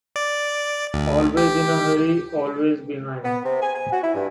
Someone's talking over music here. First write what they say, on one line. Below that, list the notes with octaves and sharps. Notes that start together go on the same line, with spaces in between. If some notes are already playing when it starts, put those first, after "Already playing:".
Always in a hurry, always behind.
D5
D2
G4
B3
C3
G#5
G#5
F#4
E4
G2